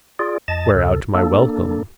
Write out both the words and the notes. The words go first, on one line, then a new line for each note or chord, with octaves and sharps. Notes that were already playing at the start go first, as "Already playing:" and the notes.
Wear out my welcome.
F4 G#4 D5
F2 D#5 A5 A6
D2 C3 A4
A#3 D4 A4